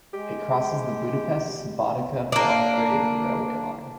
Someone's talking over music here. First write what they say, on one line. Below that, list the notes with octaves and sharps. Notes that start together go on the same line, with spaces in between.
It crosses the Budapest-Subotica-Belgrade railway line.
G#3 G4
A#3 D4